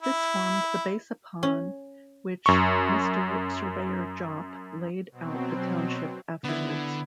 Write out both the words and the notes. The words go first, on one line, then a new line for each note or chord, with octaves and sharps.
This formed the base upon which Mr. Surveyor Jopp laid out the township afterwards.
E4
C#4
F#2 C#6
B2 F#3 C4
D3 B3 E4